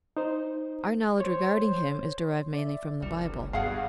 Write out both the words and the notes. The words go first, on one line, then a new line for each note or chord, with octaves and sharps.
Our knowledge regarding him is derived mainly from the Bible.
D#4 C5
C5 C#5
D5 E5
F#1 C2 G3
G2 B2 G#4 F5 F#5 C7